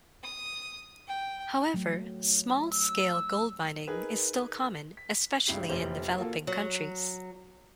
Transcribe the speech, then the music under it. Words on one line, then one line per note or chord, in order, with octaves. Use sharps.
However, small-scale gold mining is still common, especially in developing countries.
D#6
G5
F#3 A3
E6
D#4 G#4 A#4 B4
B6
C#2 G2 E4 G4 C7
F1 A#1 G4 C5 C#5
A#3 F4 F#4 A4
F#3